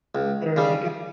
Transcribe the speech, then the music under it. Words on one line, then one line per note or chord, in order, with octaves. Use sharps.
There you go
C#2
C#3 G3